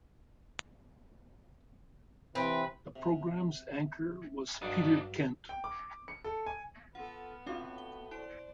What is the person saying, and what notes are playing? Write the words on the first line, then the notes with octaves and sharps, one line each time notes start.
The program's anchor was Peter Kent.
C3 E3 C4 B4
C3
G2 F#3 D4 D#4
G5
D6
C#7
A4
G#5
B3 F4 A4 F#5
A2 C4 C#4 D#4 F4 F#4 F5
G7
E4 C5 D5 D7